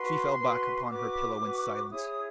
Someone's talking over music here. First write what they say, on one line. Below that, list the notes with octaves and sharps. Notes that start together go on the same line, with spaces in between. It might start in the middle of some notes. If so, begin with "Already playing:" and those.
She fell back upon her pillow in silence.
Already playing: F#4 B4 C6
F#4 B4
F#4 B4 D6
F#4 B4
E4 G#4 C#5 D#6
D#6